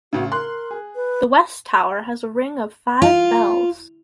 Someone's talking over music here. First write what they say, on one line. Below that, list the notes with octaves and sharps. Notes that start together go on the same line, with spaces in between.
The west tower has a ring of five bells.
A1 C#3 F#4
A#4 C6 F#6
G#4
B4
F4